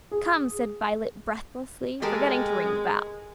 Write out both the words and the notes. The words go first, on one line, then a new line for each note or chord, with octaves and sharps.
"Come," said Violet breathlessly, forgetting to ring the bell.
G#4
G#3 G4 A4 A#4